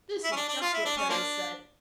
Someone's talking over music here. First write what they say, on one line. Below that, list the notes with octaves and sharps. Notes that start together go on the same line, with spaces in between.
This is just what Perry said.
E4
C#4
D4
D4
F4
E4
D4
C#4
F3 A#3 D4